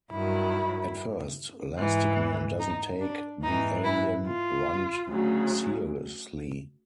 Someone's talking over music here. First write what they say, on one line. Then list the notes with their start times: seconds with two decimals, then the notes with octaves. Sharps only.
At first, Lastikman doesn't take the alien runt seriously.
0.12 G2 D#3 F#3 E4
1.77 G#2 E3
2.60 D#4
3.01 D4
3.42 G#2 E3 D#4
3.84 E4
4.26 F4
5.08 D2 C#3 F#3